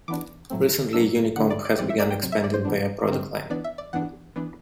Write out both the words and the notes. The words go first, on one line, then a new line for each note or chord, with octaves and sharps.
Recently, Unicomp has begun expanding their product line.
E3 B3 D4 D6
A2 F#3 A3 C4
B2 F#3 A3 D4 E6
D3 A3 D4 F#5
D5
D5
A2 E3 G3 C4 D5
E5
D5
G5
C3 F#3 C4
E5
D5
C5
C3 E3 B3 D4
D3 G3 C4
E3 B3 D4 D5
E5
D5
E3 B3 D4 F#5
E3 B3 D4